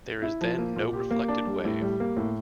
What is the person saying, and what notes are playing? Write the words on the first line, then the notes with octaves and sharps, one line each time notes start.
There is then no reflected wave.
E4
F3
A#3
A#2
G4
A#3
D4
G3
A2
G3
A#3
A2